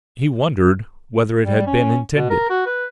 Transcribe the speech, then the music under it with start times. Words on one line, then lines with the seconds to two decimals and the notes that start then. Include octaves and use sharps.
He wondered whether it had been intended.
1.45 G3
1.67 C#4
2.15 B2
2.30 A#4
2.50 F#4
2.66 B4